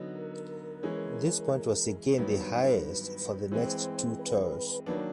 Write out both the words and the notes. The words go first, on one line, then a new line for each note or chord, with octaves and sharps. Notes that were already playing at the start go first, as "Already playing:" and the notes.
This point was again the highest for the next two Tours.
Already playing: D3 F#3 B3 D#4
A#4
E3 G#3 C#4
G2 D#3 F#3 B3 B4
E3 G#3 C4 C5
B4
D#3 F#3 A#3 D4 B4